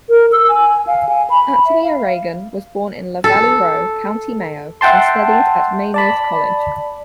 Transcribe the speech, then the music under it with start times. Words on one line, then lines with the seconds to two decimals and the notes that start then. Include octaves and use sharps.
Anthony O'Regan was born in Lavalleyroe, County Mayo, and studied at Maynooth College.
0.09 A#4
0.32 E6
0.49 G#5
0.87 F5
1.09 G#5
1.30 B5
1.66 E5
1.83 F5
3.24 A4
4.81 E5 F#5 G5 A5 C6
5.94 D5 A5 B5